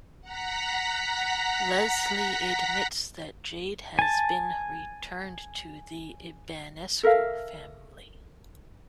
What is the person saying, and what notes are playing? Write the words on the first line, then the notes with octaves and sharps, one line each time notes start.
Leslie admits that Jade has been returned to the Ibanescu family.
F#5 A#5 B6
G#5 A5
A4 A#4 E5 F5